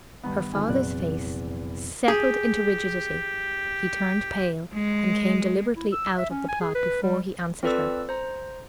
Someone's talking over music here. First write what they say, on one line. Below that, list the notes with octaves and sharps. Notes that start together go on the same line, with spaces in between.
Her father's face settled into rigidity, he turned pale, and came deliberately out of the plot before he answered her.
G2 D#3 B3
F2 D3 D#4 G#5
F1 E2 A#2 F#3 C4 E4 D5 F#6
G4 G#4
G#3
E4
E6
E5
C#4
G#5
G#4
B4
G3
C4 F4 A4 B4 D5 E6
C5 A#5